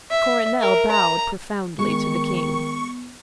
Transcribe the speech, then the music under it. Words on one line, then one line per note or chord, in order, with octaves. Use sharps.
Coronel bowed profoundly to the King.
E5
A#4
A#5
D#3 G#3 B3 C#6